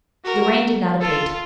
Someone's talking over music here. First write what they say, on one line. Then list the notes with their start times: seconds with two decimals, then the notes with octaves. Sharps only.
The rain did not abate.
0.25 F#4 A#4
1.01 F4 A4